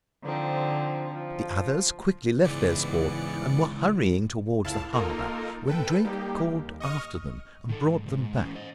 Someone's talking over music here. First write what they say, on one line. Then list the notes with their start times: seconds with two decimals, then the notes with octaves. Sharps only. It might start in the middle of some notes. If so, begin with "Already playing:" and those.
The others quickly left their sport and were hurrying toward the harbor when Drake called after them and brought them back.
0.22 D3 F3 C4 D#4
1.13 F3
2.44 C#2 G#2 E3 B3 E4 D5 C#7
4.65 C#2 A2 E4 F5 A5
4.93 A#3 D#4 F4 A4 A#4
5.67 A4 B4 G5
6.05 G3 A#3 D#4 G4
6.49 D#2
6.80 D#5 C#6 D#6 F6
7.69 D#3 A4
7.86 G#2
8.06 C2 G#2
8.38 E3 C#4
8.54 C5 D#5